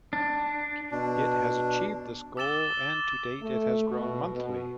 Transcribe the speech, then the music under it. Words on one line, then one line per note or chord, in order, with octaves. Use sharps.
It has achieved this goal and to date it has grown monthly.
D4
B2 D4
D6 E6 A6 E7 G7
A3
B2
B2